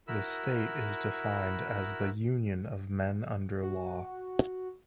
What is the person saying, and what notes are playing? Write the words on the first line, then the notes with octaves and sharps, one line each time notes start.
The state is defined as the union of men under law.
E4 F#4 A#4 B5 E6
F#4